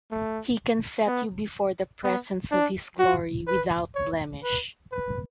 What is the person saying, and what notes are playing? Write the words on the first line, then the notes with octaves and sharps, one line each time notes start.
He can set you before the presence of his glory without blemish.
A3
B3
B3
D4
F#4
B4
C#5
B4
B4